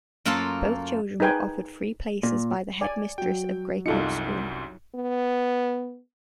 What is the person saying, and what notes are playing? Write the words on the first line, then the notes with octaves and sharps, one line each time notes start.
Both children were offered free places by the headmistress of Greycotes School.
F#2 A#3 F4 A4 A5 C6
D#4 G#4 B4 G5 G#5
A#2
D5 G#5
F#3 F#4 G5
C2 F#2 D#4 F4 A4 C#7
B3